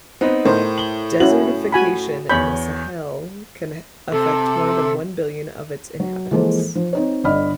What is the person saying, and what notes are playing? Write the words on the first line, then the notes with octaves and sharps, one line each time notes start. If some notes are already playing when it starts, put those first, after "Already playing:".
Desertification in the Sahel can affect more than one billion of its inhabitants.
B3 C4 D#4 B4
A2 A#4 C5
F#7 G7
C#4 E4 F#4 F#7
F#4 G#5 B5
E2 C#5 B5 G6
C3 A4
F#3
E3 F3 G#3 A#3 A4 C5
F3
C4 D#4 C#5
G1 D3 D5 D#5 B5 F6